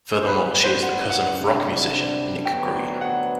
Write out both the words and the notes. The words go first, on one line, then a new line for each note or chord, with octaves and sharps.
Furthermore, she is the cousin of rock musician Nicke Green.
C5
A2 G3 B3 B4
B4
C5
F#5
F#5
C3 G3 D4
D2 C3 F#3 B3 D4 G5
F#5